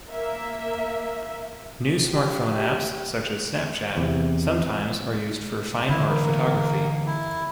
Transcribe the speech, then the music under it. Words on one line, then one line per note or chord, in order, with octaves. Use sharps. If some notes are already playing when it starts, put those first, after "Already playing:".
New smartphone apps such as Snapchat sometimes are used for fine-art photography.
A#3 E5
G4
E2 C3
D3 E3 E4
A#3
E4